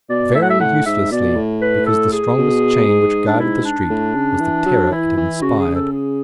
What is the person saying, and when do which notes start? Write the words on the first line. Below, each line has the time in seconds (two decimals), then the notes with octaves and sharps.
Very uselessly; because the strongest chain which guarded the street was the terror it inspired.
0.09 B2 D5
0.35 A2 E5
0.42 F#5
0.50 E5
0.60 A2 F#5
0.86 G#2 E5
1.11 B2 D5
1.36 A2
1.62 B4
1.87 A4
2.13 G#4
2.38 B2
2.88 G#2
3.27 D4
3.39 E4
3.65 D4
3.90 A2
4.15 C#3
4.40 E3
4.66 F#3
4.91 E3 E4
5.17 E3
5.42 C#3 F#4
5.59 G#4
5.67 C#3
5.75 A4
5.92 G#4